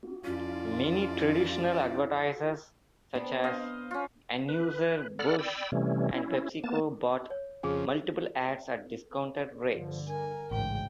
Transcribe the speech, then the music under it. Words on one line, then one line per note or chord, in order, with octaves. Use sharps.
Many traditional advertisers, such as Anheuser-Busch and PepsiCo, bought multiple ads at discounted rates.
F2 C#4 F4 D5
B3 C4 D4
C5 D#5 F5
C#4 F4
B4
A4 D5 F#5 B5 F6
D5 G5 B5 E6
C3 E3 G3 A3 C#4
C#4 E4
A#3 B3 A5
C#5
F2 C#3 G#4 G#5
G2 D3 F3
A#4 G#5
A1 D2 G#2 C#3 G5